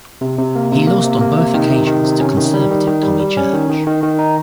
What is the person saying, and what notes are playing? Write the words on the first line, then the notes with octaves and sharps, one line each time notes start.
He lost on both occasions to Conservative Tommy Church.
C3
C3
A#3
C3
A#3
C3
A#3
C3
D#3
C3
D#3
C3
C#4
D#3
G3
D#3
D#3
G3
G3
C#4
D#3
D#3
D#3
D#3
D#4